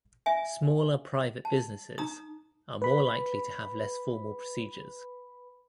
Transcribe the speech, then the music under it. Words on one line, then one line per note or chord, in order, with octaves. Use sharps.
Smaller private businesses are more likely to have less formal procedures.
E5 G#5
A5
D#4 A#5 D#6
B4 B5